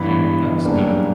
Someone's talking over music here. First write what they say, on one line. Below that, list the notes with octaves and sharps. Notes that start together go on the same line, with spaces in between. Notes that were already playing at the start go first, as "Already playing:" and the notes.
Mm, that's good.
Already playing: G2 E3 B3 B5
F#2 C#3 G3 A#3 D4